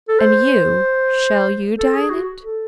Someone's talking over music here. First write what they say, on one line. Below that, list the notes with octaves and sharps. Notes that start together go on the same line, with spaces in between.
"And you--shall you die in it?"
A4
C5
A4
G#4
F#4
A4